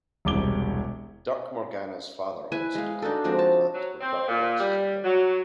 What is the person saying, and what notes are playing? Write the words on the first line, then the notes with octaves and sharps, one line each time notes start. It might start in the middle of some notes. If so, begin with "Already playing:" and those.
Dirk Morgna's father owns a nuclear power plant, where Dirk works as a helper.
E1 C2 D6 G7
E4 B4 G#5
G#3 F5
D4 D#4 F#4 A4
F3 G#3 C4 F#4
A5
F#3
C4
A#2
G3
F#3